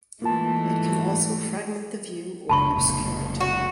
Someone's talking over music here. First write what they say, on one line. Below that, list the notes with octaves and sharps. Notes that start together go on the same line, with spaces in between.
It can also fragment the view or obscure it.
G#2 E3 A3 A#3 F4 A5
F#1 C#2 D4 A5 B5 C#6
F1 C#2 A#2
F#4